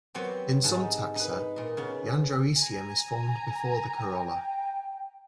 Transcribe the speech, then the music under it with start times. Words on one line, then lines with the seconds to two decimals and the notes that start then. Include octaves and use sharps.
In some taxa, the androecium is formed before the corolla.
0.14 F#3 B3 C4 G4
0.64 G#2 D#4 A5
1.16 D#4 B4
1.56 A#2 D#5
1.77 C#3 B3
2.57 G#5 A#5
3.97 G5